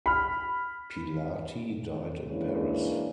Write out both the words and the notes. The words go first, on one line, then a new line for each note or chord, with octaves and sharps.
Pilati died in Paris.
B5 F6
E3 G#3 A#3 C#4 D4